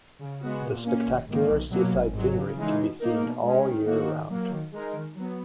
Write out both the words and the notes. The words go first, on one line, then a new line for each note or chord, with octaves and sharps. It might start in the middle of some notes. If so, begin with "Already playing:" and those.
The spectacular seaside scenery can be seen all year round.
C#3
G#3 B3 F#4
A#2
A#3 C#4
G#1
G#2 D#3 A#3
B1
B2 F#3 A#3
G#1
G#2 F#3
C#3
E3 G#3 D#4
B2
A#3 D#4 A#4
B2
G#3 C#4
D#3
A#3 D#4 F#4
D#3
F#3 A#3
D#3
G#3 D#4 A#4
D#3
F#3 B3